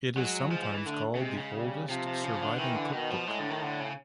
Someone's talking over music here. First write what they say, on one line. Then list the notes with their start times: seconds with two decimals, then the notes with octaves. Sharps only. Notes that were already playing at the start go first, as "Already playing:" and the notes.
It is sometimes called the oldest surviving cookbook.
0.17 F#3 G#3
0.51 F3
0.63 F3
0.74 E3
0.86 D3 A3
1.15 C#3
1.21 C3 G#3
1.37 C#3
1.55 G3
1.89 C3 F3
2.07 C3
2.24 C#3
2.41 D3
2.58 D#3 E3
2.75 D3
2.93 B2 D#3
3.10 F3
3.27 A2 G#3
3.39 D3
3.50 D#3
3.62 D3
3.80 C#3